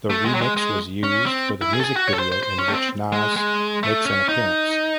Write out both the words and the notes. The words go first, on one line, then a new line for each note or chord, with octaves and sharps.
The remix was used for the music video in which Nas makes an appearance.
A3
G#3
F#3
G#3
G#3
C#4
C4
E4
G#4
A4
G#4
F#4
C#5
A4
C5
C5
C5
C#4
A3
C4
G#3
G#3
A3
C#4
D#4